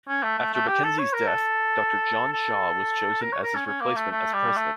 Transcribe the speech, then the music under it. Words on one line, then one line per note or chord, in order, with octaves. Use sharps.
After MacKenzie's death, Doctor John Shaw was chosen as his replacement as president.
C#4
A3
A3
A3
G4
A4
C#5
A#4
A4
A4
A#4
C#5
A#4
C#4
C#4
A#3
A3
A3
G3
A3